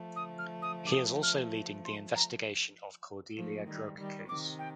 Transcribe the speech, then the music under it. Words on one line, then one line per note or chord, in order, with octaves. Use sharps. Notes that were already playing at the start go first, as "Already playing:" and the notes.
He is also leading the investigation of Cordelia drug case.
Already playing: F3 A3
D#6
F6
D#6
D6
D#6
F6
C6
A#5
F3 A3
D#3 G3
D#3 G3
C3 D#3 D6
G5